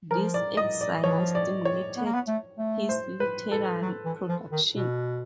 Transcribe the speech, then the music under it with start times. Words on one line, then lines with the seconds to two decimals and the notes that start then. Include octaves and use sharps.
This exile stimulated his literary production.
0.11 F3 A#4
0.34 D5
0.57 D#5
0.81 D5
1.04 F3 C#5
1.11 E3
1.19 F3
1.35 D5
1.65 C#5
1.97 B3
2.05 A#3
2.14 B3
2.27 A3
2.59 A3
2.89 C5
3.20 B4
3.52 A4
3.82 F#3
4.05 E3
4.28 F3
4.52 D#3
4.75 B2